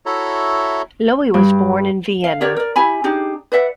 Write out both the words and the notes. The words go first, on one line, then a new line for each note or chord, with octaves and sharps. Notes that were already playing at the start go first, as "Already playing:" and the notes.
Loewy was born in Vienna.
E4 F#4 A4 C#5 E5 A#5
G2
F5
G4 A#4 C#5 D5
A#4 D5
E4 G4 G#5 B5
D4 D#4 G4 G#4
B4 D5 E5 F#5